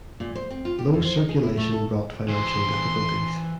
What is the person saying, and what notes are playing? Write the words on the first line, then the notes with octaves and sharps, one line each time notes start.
Low circulation brought financial difficulties.
A#2
C5
C4
F4
G4
F2
C5
D#4
G#4
E4
A3
A4
E3 C5 C6